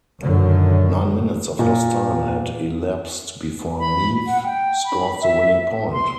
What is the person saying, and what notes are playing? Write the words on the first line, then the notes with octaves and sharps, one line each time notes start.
Nine minutes of lost time had elapsed before Meath scored the winning point!
F#2 A#2 D3 D#3 F#3
A#2
B5
F#5
G5
B5
E5
C6